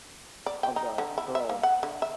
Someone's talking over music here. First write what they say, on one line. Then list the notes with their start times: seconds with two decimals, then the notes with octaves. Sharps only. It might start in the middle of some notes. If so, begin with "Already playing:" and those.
of the girls.
0.46 D5
0.63 G5
0.76 D#4
0.98 D3
1.18 E4
1.35 E5
1.49 A#3
1.63 F#5
1.83 D3
2.02 E5